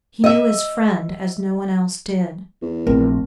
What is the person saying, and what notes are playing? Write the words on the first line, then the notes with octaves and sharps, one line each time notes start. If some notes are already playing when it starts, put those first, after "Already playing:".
He knew his friend as no one else did.
D#5 E5
E2
A#1 A3 C4 A#4